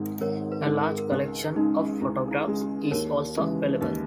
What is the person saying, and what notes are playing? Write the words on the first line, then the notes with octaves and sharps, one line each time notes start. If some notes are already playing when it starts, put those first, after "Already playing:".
A large collection of photographs is also available.
Already playing: G#1 G#2 D#3
G#1 A#4 C#5
B4
G#2 D#3
A#4
G#4
A#4
C#2 G4
C#3 G#3 D#4
C#2 E4
E4
C#3 G#3
G4
D#2 A#4 C#5
C#3 E3 G#3
D#2 B4 D#5